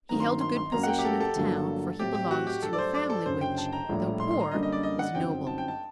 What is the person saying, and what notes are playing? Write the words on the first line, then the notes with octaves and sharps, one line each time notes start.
He held a good position in the town, for he belonged to a family which, though poor, was noble.
G2 D#3 F#3 C4 A#5
C6
C6
C6
F#2 F#3 A#3 A#5
F#5
G5
G4
A4
A4
G1 G2 F#3 A#3
A2 F#3 A3 C4 G4
G4
F#4
G4
G2 F#3 A3 A4
D5
C5
D5
A4
F#1 F#2 D3 C5
G5
A5
A#5
A#1 A2 G3
C6
C6
A#5
F#2 D3 G3 A#3 D4 D#5
D#5
D5
D#5
F#5
G1 F#2 F#3 C4 D#4 G5
A5
G5
A5